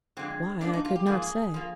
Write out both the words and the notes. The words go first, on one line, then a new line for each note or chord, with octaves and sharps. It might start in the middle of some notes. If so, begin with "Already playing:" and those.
Why, I could not say.
F2 D3 G#3 C4
G#2 F3 A#3 D4
D#4
F4
G4
G#2 F3 A#3 G#4
F3 A#3